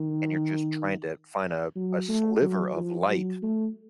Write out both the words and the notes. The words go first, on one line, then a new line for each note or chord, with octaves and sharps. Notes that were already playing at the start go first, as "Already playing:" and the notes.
and you're just trying to find a a sliver of light
Already playing: D#3
F#3
A3
F#3
F3
F#3
A3